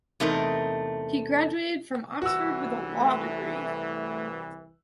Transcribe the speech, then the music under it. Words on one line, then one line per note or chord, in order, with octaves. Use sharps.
He graduated from Oxford with a law degree.
E2 C3 A3 D#4 A#4
C2 E3 F#4 E6
A3